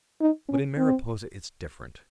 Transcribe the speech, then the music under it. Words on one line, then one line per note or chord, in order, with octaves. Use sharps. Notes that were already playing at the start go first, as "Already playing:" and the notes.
But in Mariposa it's different.
D#4
C#4
C4